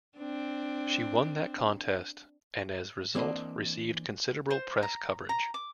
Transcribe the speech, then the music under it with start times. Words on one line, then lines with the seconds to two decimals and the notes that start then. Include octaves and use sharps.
She won that contest and as a result received considerable press coverage.
0.17 C4 D4
3.15 E3 A#3 C4 D4 D5 D#5
4.50 C5
4.83 A#5
5.29 A#5
5.54 D6